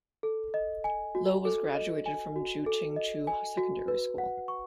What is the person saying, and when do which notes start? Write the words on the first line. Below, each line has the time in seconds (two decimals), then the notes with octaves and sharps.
Lo was graduated from Ju Ching Chu Secondary School.
0.23 A4
0.54 D#5
0.84 G#5
1.15 F#4
1.45 A4
1.75 D#5
2.06 G#5
2.36 F#4
2.66 A4
2.96 D#5
3.27 G#5
3.57 F#4
3.88 B4
4.18 F#5
4.48 C#6